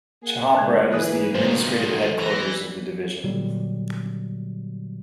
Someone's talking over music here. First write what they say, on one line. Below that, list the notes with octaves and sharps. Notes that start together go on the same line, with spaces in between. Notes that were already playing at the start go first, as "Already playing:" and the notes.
Chhapra is the administrative headquarters of the division.
A#3 G#4 F#5
F#2 D3 G#3 D4 A5 F#6 G#6
E3 A#3 G#4 B4 E5 D#6 F#6
G2 B2 D#3 F4 C5
F#4 A4 G#6
E3 A#6
A#2 D3 F#3 G3